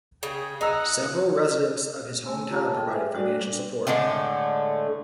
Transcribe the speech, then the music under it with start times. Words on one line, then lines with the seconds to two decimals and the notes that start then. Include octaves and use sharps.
Several residents of his hometown provided financial support.
0.23 C#3 G#4 G5
0.61 D#4 D#5 F#5 A#5 E6
2.26 A3 G#5 E6
2.49 F4 G4 C#5 A5 A#5
2.73 G#4 A4 D#5 G5
2.88 A4 E5 G#5
3.14 G3 D4 F#4 D5
3.87 A2 D3 G#3 A3